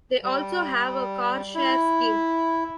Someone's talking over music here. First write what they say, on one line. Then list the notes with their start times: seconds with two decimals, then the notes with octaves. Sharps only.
They also have a car-share scheme.
0.23 G3
1.55 E4